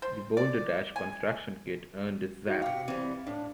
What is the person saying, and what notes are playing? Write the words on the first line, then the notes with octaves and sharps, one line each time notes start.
The Boulder Dash Construction Kit earned a Zzap!
C5
D5
G#5
D#4 F#4
C3 F5 G5 D6 C#7
E3 G3 C4
A2 D4